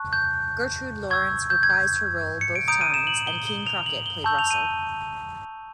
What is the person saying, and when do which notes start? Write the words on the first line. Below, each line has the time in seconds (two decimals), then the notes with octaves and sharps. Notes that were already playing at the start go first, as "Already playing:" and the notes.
Gertrude Lawrence reprised her role both times and Keene Crockett played Russell.
Already playing: A5 C#6 F#6
0.13 G6
1.10 C#6 E6 G6 G#6
1.50 G6
1.63 G#6
1.70 G6
2.41 C#7
2.55 D7
2.68 A#5 D#6 G6 D7
2.81 D#7
2.94 E7
3.07 F#7
3.27 G7
3.47 G7
3.67 F7
3.86 F#7
4.06 G7
4.24 A5 C#6 E6 G6
4.39 F7
4.51 D#7